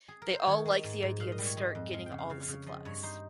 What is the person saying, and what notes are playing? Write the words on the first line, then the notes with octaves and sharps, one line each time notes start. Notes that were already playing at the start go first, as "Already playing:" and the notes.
They all like the idea and start getting all the supplies.
G#4
A#4
C5
D#3 C#5
G#3
G#2
G#2
A#2 F5
D#5
G3
C#5
G#3 D#5
F2
G#3 F5
G5
C#3
F5
C#3 F5
F5
C#3
F3 D#5
G2 C#5
D#4 C5